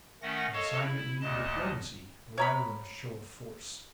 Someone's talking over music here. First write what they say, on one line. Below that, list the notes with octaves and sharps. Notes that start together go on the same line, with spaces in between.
An assignment needing diplomacy rather than a show of force.
D#3 A3 C#4 F#5 A#6
A4 C#5 D#5 F5 A5 C#6
E4
D2 A#2 D#5 A5
C#5 A#5 B5